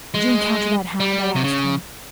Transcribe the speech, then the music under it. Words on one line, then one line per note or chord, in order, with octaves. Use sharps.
'Did you encounter that hound?' I asked him.
G#3
G3
C3
C#3